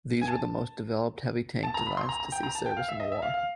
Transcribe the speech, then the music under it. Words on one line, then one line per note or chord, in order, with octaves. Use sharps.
These were the most developed heavy tank designs to see service in the war.
G#5
A5
A5
A#5
B5
C6
A#5
A#5
G5
A#5
A5
G5
F5
E5
D#5
E5
F5
F5